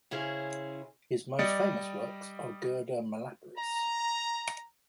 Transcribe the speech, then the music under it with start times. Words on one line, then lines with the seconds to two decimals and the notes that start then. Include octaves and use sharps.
His most famous works are Gerda malaperis!
0.11 C#3 C#4 E4 G#4 C5
1.39 G3 D5 D#5 C#7
3.57 A#5